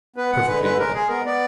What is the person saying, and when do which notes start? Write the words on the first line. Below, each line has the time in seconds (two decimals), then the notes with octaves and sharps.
"Perfectly well."
0.16 B3 B4
0.32 G#3 F#5
0.47 D3 B4
0.63 G#3 B4
0.79 G#3 A#4
0.94 G#3 G#4
1.09 B3 A#4
1.25 B3 D5